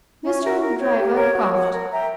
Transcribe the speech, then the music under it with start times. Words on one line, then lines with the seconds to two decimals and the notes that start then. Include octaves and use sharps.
Mr. Hoopdriver coughed.
0.24 C#4
0.42 F#4 A#4 E5
0.61 A#4
0.79 C#5 G5
0.97 G4
1.16 A#4 C#5
1.35 F#4
1.53 C#5 F#5
1.72 A#4
1.91 E5 G5 A#5